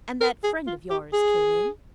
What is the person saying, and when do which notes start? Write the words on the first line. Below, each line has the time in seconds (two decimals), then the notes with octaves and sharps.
"And that friend of yours came in?"
0.21 A#4
0.44 G#4
0.67 F4
0.90 G4
1.13 G#4